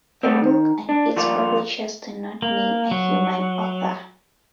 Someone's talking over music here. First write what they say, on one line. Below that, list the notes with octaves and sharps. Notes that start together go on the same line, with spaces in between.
The book and its publishers do not name a human author.
G3 A3 B3 C4
D#3
D4
F3 G3 A#3 F4 D5
A#3
F#3